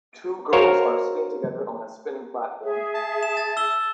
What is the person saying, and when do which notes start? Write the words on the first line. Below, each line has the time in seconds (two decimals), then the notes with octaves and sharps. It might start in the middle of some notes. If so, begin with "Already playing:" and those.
Two girls are sitting together on a spinning platform.
0.53 F#4 A#4 C5 C#5 F5
2.62 G#4 E5
2.94 A5
3.23 E7
3.37 A6
3.57 E6 E7 G7